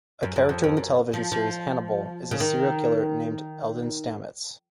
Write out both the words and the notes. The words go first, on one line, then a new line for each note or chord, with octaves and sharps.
A character in the television series Hannibal is a serial killer named Eldon Stammets.
F#2
F#2
F2
F2
F#2
F3
F3
C#3
D#3